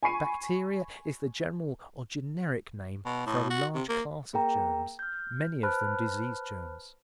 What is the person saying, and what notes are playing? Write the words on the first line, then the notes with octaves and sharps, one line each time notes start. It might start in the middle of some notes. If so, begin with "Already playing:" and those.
Bacteria is the general or generic name for a large class of germs, many of them disease germs.
G#5 B5 C#6 C7 D#7
B2
A2
F#4
C3
A#3
A#3 G#4 A#4 G5 A#5
F6 G6
B4 C5 A5 B5 F6 F#6